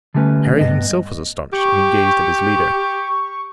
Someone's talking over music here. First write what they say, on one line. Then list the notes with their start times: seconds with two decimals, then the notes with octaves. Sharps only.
Harry himself was astonished, and he gazed at his leader.
0.14 D3 G3 A3 C#4 B4
0.59 G2 B3 D#5
1.53 G4 C#6